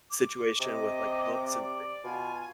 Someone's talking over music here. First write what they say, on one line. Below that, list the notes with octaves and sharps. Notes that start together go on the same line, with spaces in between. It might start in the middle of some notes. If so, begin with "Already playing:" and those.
situation with, like, books and things,
D6
C3 D#5 D6
D5
B2 F4 G#5